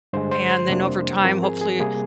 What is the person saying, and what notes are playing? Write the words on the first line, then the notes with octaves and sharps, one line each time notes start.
and then over time, hopefully,
G2 D3 G#3 C5
C5
C5
F2 C3 G3 A#3 D4
G#2 F3 C4 A#4
G#4
G#4
C3 G3 A#3 G#4